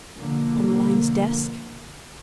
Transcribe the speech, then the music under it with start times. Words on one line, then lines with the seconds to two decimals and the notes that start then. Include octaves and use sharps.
"On Lyne's desk?"
0.16 B2 D3 F3 A#3